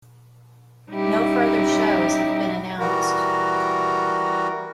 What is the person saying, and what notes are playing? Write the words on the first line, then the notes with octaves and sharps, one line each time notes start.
No further shows have been announced.
G3 C#4 D#4 E4 G4
E3 G3 F#4 A#4